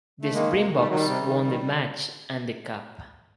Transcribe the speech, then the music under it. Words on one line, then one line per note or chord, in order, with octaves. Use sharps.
The Springboks won the match and the Cup.
A3
D#3 G#3 A#3
C3
D#3
G3 A3
D#3 F#3
G3
C3
D#3
D#3